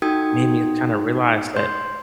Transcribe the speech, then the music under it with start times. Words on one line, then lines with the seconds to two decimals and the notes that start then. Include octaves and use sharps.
made me kinda realize that
0.02 D#4 F#4 A4 G5 D#6 G#6
1.56 C6 G6